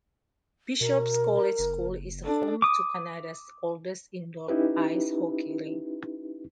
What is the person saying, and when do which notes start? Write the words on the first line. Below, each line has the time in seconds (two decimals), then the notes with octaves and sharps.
Bishop's College School is home to Canada's oldest indoor ice hockey rink.
0.81 B2 A#4
1.59 F#1
2.24 D4 A4
2.62 D6 D#6
4.48 C#4 D#4 E4 G4 B4